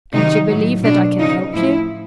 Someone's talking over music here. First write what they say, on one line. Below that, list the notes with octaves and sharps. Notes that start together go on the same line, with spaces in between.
"And you believe that I can help you?"
C3 D#3 F#3 D#4
A2 F#3
B2 F#3 D4
C#3 F3 D#4
A2 F3 E4